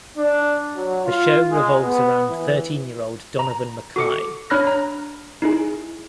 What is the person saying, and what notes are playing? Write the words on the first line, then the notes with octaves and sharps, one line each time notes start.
The show revolves around thirteen-year-old Donovan Mackay.
D4
F#3
F4
G#3
B3
E3
A#5
F#4 A4 D6 C#7
D4 C#5 B5 F6 F#6 A#6
A#5
D#4 E4 G#4